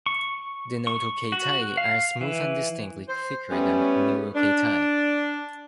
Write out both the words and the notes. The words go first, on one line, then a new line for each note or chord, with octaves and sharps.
The notochaetae are smooth and distinctly thicker than neurochaetae.
C#6
C#6
F#4
F5
E3
C5
G3 A3 B3 C#4
D4